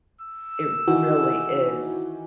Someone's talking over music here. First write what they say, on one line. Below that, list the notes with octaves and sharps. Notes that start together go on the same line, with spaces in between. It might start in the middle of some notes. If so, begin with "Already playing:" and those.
It really is.
E6
D#3 E3 F#4